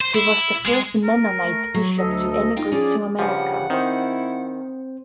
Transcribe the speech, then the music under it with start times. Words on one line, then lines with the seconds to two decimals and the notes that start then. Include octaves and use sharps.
He was the first Mennonite bishop to emigrate to America.
0.01 C5
0.15 E4
0.66 G#3
1.04 A#4
1.42 A3
1.74 F#3 C#5
1.98 D2 A4 D#5
2.57 D#4 F4 G5
2.72 F3 C#4 F4 G#4 D5
3.19 G2 C#3 F3 G4 F#5
3.70 D#3 C4 E4 C5